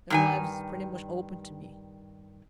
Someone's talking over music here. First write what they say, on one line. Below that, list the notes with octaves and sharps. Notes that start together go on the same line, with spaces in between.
Their lives is pretty much open to me.
G2 D#3 G#5